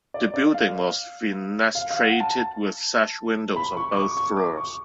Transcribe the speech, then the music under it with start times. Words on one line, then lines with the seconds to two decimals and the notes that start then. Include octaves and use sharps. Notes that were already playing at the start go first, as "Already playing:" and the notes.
The building was fenestrated with sash windows on both floors.
0.14 D5
0.34 D5
0.54 F5
1.75 F5
1.90 F5
2.05 F#5
2.20 A5
3.56 B5
3.77 C#6
3.92 D6
3.97 C#6
4.17 C#6
4.37 D6
4.57 C#6